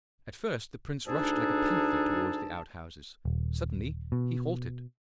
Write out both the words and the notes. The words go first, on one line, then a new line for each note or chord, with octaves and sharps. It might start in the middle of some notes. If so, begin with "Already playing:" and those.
At first the prince rushed like a panther toward the outhouses. Suddenly he halted.
D2 D4 D#4 G#4 A4 A5
D#1
B2